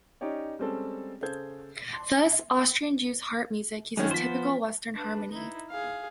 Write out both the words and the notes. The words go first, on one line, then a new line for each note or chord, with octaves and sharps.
Thus, Austrian Jew's harp music uses typical Western harmony.
C#4 D#4 G4 C#5 D5
G3 G#3 C4 C#4 A4
C#3 G#4 A4 C5 G6 G#6
C6
F#2 D#3 G#3 C#4
F3 B3 C5 B6
D4 B4
D#4 E4
G#4 F5